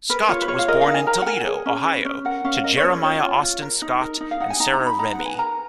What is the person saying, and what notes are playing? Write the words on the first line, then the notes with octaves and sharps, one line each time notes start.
Scott was born in Toledo, Ohio, to Jeremiah Austin Scott and Sarah Remey.
A#4 B4
F4 C#5
B4
F4 C#5
F5
A#4 D#5
F5
D#4
G#5
A#4 A#5
F#5
A#4 G#5
G#4
C#4
B4
C#4
A#4 F#5
C#4 F5
A#4 D#5
C#5
C#4
C#5
F4 C#5
F4
F4
A#4
D#4
A#4
D#4
F5
D#4 F#5
G#5
D#4 A#5
A#5
D#4
B5
D#4 A#5
F#5
B4
G#5
A#4 A#5